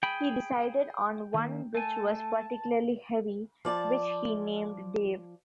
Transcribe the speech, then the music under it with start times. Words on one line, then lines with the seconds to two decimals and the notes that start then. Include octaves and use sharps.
He decided on one which was particularly heavy, which he named Dave.
0.03 G#4 G5 B5
1.34 D#3 A#3
1.75 A3 G#5 A5
3.65 F3 D5 A5